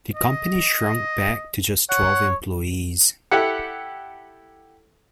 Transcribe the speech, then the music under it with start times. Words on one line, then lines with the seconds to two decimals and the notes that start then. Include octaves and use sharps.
The company shrunk back to just twelve employees.
0.15 D#5
1.90 C#5 F#5
3.31 E4 G4 A4 F#5